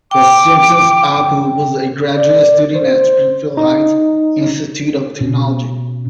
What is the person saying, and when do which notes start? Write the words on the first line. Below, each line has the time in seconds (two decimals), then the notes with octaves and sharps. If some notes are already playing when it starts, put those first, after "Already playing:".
"The Simpsons"' Apu was a graduate student at "Springfield Heights Institute of Technology".
0.11 G5 D6
2.16 D5
2.75 C5
3.57 D#4
5.21 B2 C#4